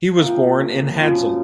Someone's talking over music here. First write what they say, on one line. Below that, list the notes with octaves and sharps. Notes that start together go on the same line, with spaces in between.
He was born in Hadsel.
C3 F3 A#3
F#2 C#3 F3